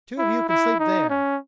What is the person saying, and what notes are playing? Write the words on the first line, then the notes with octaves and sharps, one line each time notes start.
"Two of you can sleep there."
E4
E4
D#4
C#4